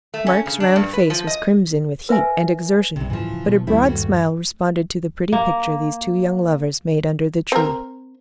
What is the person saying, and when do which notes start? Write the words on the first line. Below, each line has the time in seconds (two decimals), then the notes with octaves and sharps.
Mark's round face was crimson with heat and exertion, but a broad smile responded to the pretty picture these two young lovers made under the tree.
0.14 A3
0.27 C#4
0.46 C#3
0.60 D4
0.76 G2
0.93 B4
1.10 F3
1.27 D#5
2.09 A#4 B4 E5 G#5
2.96 B1 G2 C3
3.10 D1 A2 C#3 E3 F3
3.46 B2
3.67 D#2 G3 C4 E4
3.84 G2 A3 F#4
5.33 A#3
7.52 C4 A#4